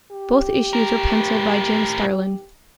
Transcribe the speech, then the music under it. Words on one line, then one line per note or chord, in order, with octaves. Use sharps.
Both issues were penciled by Jim Starlin.
G4
A2 A#4